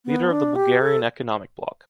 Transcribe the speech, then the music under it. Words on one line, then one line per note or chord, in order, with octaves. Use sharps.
Leader of the Bulgarian economic block.
B3
D4
G4
A4